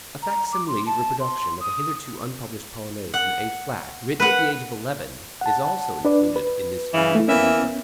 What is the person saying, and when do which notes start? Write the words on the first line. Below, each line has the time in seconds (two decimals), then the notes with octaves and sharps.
A fac-simile reproduction of a hitherto unpublished Polonaise in A flat, written at the age of eleven, is also included in this unique number.
0.22 A#5
0.52 D6
0.67 C6
0.86 A5
1.20 C6
1.60 D#6
3.14 F#5
4.20 B4 F#5
5.41 F#5 A5
6.05 D4 B4 D5
6.36 B4
6.94 C#3 E3
7.15 A3 E4
7.28 E3 A#3 B3 C#4 E5